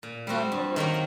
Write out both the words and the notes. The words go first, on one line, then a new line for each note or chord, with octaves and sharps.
None were built.
A#2
G3 C4 F#4
G2
D#3 F#3 A#3